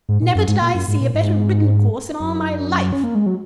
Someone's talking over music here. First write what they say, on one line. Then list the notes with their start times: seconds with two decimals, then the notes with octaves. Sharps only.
Never did I see a better ridden course in all my life.
0.09 G#2
0.22 A#2
0.35 F#2
0.48 G#2
0.62 A#2
0.75 F#2
0.88 G#2
1.01 A#2
1.15 G#2
2.20 F#2
2.93 C#4
3.04 A#3
3.15 G#3
3.26 F#3